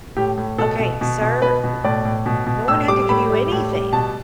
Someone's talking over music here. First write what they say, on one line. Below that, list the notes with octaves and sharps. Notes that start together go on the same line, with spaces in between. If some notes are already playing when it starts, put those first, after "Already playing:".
"Okay, Sir w n no one had to give you anything!
A2 G4
A2
B2 A4
B2
B2
B2
B2 B4
B2
A2 D5
A2
B2
B2
A2 E6
G3 D6
A2 B5
G3
A2
G3
B2 A5